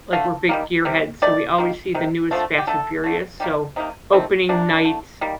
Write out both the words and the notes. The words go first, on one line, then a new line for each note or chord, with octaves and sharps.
like we're big gear heads, so, we always see the newest Fast& Furious. So, opening night,
D3 A3 F5
D#3 G3 A#3
C3 G3
D#3 A3 D5
D#3 A#3
C3 D#3
D3 F3 A3
G4
D3 A3 A4
D3 A3
D#3 G3 A#3 G4
C3 D#3 A#3 D#4
D#3 A3 C4
C3 F3 A#3 D4
D3 A3
D#3 G3 A#3